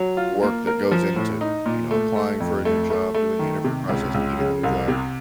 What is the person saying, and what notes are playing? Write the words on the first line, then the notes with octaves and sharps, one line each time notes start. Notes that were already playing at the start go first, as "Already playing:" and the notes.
work that goes into, you know, applying for a new job, doing the interview process, getting the new job,
Already playing: F#3
F4
A#3
A#4
F3
A2
D#4
A#2
A3
A3
F2
A3
A3
A3
D#3
C3
C#2
C#2
C#3
C2
C3